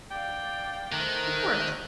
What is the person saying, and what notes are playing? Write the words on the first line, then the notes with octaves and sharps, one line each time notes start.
Of course.
D5 F5 G5
D#3 A3 A#4 C5 F#6